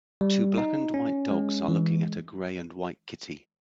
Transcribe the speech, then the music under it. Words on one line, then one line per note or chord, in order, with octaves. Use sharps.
Two black and white dogs are looking at a gray and white kitty.
G3
D#4
C#4
G#3
E3